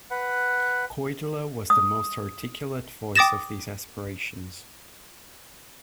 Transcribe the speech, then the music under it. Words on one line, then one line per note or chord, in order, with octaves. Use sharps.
Koidula was the most articulate voice of these aspirations.
B4 F#5
D#6
G5 D6 D#6 A6 A#6 E7